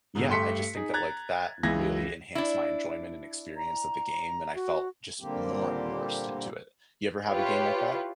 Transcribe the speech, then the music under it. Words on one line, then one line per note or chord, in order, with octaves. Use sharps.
yeah, I just think that, like, that really enhanced my enjoyment and experience of the game, and I felt, just, more immersed into it. You ever have a game like that?
G#2 B2 D3
G2 A3 G4 C6 B6 C#7
D#4 G#4
A#5 F#6 G#6 A6
C#2 E3 G#6 A#6
D4 E4
A#5
F#4
A#2 D3 G3 A#3 C4 G4
E4 F4 G4 B4 C#5